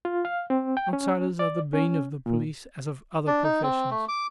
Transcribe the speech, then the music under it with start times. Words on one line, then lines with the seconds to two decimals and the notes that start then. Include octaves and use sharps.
Outsiders are the bane of the police as of other professions.
0.05 F4
0.25 F5
0.50 C4
0.77 G5
0.93 C#4
1.39 D5
1.73 C#4
2.26 A#2
3.27 D4
3.44 D#4
3.63 C4
3.91 A3
4.08 D6